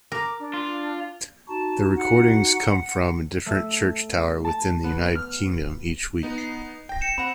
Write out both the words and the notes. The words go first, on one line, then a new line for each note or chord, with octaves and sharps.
The recordings come from a different church tower within the United Kingdom each week.
A#4 D6
D4
F4
D#4 F#4 A5
F#5
A3
A5
B3
F6
B3 D#4
C7
G5 A#6
C#7 E7
C4 F#5 B5